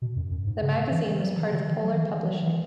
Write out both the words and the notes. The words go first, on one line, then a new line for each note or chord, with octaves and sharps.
The magazine was part of Polar Publishing.
B2
F#2
F#2
G#2
C#3
E3
F#3
E3
D3
E3
F#3
E3
E3
F#3
E3